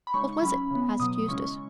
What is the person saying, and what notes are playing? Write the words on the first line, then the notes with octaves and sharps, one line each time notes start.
"What was it?" asked Eustace.
B5
C#3 G#3 D#4 C#6
C#6
F#3 C#4 E4 B5
C#3 E3 B3
B2 F#3 B3 D#6
C#3 G#3 C#4 E4 C#6